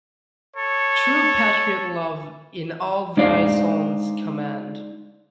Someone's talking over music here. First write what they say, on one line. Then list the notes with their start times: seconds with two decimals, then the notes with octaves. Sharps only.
True patriot love in all thy sons command.
0.57 A4 C#5
3.17 G#3 D4 D#4 C5 D5 F5